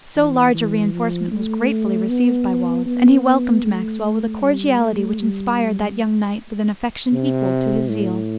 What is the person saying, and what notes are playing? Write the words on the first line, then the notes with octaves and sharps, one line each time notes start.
So large a reinforcement was gratefully received by Wallace; and he welcomed Maxwell with a cordiality which inspired that young knight with an affection equal to his zeal.
E3
E3
F3
A3
B3
B3
A3
G3
A3
G3
C3
A2